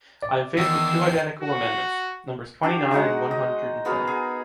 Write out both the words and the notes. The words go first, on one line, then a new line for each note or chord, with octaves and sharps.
I am faced with two identical amendments, numbers twenty-nine and one hundred and ten.
D5
E2 D#3 E6 C7
F#4
D4 F#4 G4
G#3 D#4 F#4 F#5
D#5
B3 F#4 G#4 A#4
G#4